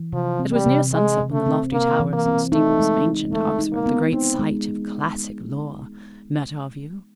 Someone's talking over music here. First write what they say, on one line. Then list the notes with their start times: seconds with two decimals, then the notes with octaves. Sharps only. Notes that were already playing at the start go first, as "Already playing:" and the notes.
It was near sunset when the lofty towers and steeples of ancient Oxford, the great site of classic lore, met our view.
Already playing: E3
0.13 C3 F3
0.39 C4
0.52 G3
0.66 C3
0.93 C3 G#3
1.20 C3
1.32 A3
1.47 C4
1.72 C3 A#3
1.99 E3
2.13 A#3
2.26 C4
2.52 A3 D#4
2.80 G#3
3.06 D#4
3.32 G#3 A3
3.59 D#4
3.73 A#3
3.86 B3
4.12 C4 D#4
4.39 G#3